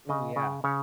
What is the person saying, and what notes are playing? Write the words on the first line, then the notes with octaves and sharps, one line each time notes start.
Ooh, yeah.
C#3 D#5
C#3
C#3 C#5